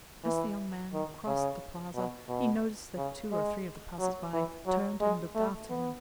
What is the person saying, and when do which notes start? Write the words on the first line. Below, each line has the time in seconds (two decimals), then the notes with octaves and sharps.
As the young man crossed the plaza he noticed that two or three of the passers-by turned and looked after him.
0.24 E3
0.93 D#3
1.27 C#3
1.95 B2
2.29 B2
2.97 C#3
3.32 G#3
3.99 F#3
4.33 E3
4.67 F#3
5.01 G#3
5.35 A3
5.70 B3